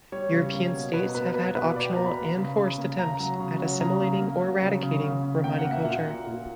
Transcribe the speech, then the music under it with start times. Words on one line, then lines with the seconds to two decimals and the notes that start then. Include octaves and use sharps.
European states have had optional and forced attempts at assimilating or eradicating Romani culture.
0.12 G3 C#5
0.32 C#3
0.53 A#3
0.74 B2
0.94 B2 B4
1.15 A#3 B4
1.34 A#3 B4
1.55 B2 B4
1.76 B2 D5
1.85 G5
1.96 A#3 A#5
2.06 B5
2.17 A#3
2.37 C#3
2.58 C#3
2.78 A#3
2.98 C#3 A#5
3.20 F#3
3.40 C#3
3.59 F#3
3.80 C#3 A#5
4.01 A#3
4.21 A#3
4.42 F#3
4.62 C#3
4.83 C#3
5.04 C#3
5.23 C#3
5.44 A#3 G5
5.58 F#5
5.65 A#3
5.72 E5
5.85 A#2 F#5
6.06 A#3
6.26 A#2